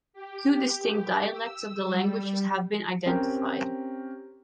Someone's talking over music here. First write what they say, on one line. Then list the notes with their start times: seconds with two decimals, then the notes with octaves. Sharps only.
Two distinct dialects of the languages have been identified.
0.13 G4
1.32 E6
1.86 G3
3.06 C4 C#4 G4 A#4